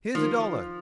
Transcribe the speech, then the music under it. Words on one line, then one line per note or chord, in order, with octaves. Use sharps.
Here's a dollar.
D#3 F3